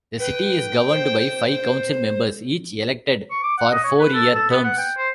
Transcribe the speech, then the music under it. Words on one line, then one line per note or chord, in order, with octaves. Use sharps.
The city is governed by five council members each elected for four-year terms.
B4 G5
C5
C#6
D6
F#5
D#5
C#5
B4
A4
A4
B3
F#5
G5
C5